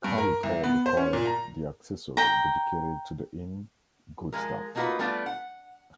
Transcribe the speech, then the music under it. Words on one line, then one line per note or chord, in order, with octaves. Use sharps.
Cowie called the part of the accessory dedicated to the Inn "good stuff".
G2
A#4
C2
B3
C5
C#4
A#2
A#5
G5 A#5
F3 G#3 A#4
A3 A#3 D#4 F4 F#4 B4
G3 A3 B3 D4 F4
F#5